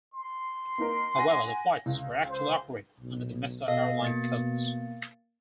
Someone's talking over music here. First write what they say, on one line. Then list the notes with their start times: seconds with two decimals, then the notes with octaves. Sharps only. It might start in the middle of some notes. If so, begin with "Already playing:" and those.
However, the flights were actually operated under the Mesa Airlines codes.
0.13 C6
0.78 A#3 D#4 A#4
1.15 F#5 G#5 A#6
1.86 C#2
2.29 C5
3.01 B1
3.68 B2 A4 D#5 F5
4.02 A#3 A6 C#7